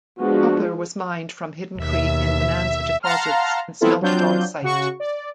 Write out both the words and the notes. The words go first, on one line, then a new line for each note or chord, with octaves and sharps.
Copper was mined from Hidden Creek and Bonanza deposits and smelted on site.
F3 G#3 B3 D4 F#4
D#2 B2 E5
F5 F#5 A5 A#5 C6 F6
E3 B3 C4 E4 F4 A4
F#3 C4 D4 F4 G6
C#3 F#4 C#6
D5